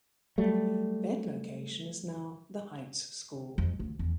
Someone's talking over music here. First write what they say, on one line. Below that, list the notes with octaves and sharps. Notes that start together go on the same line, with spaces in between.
That location is now The Heights School.
F#3 G3 A3
F2
D2
E2